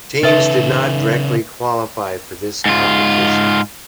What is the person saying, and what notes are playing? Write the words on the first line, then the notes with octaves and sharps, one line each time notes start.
Teams did not directly qualify for this competition.
C#3 D#4 A4 B4 E5
G#2 F4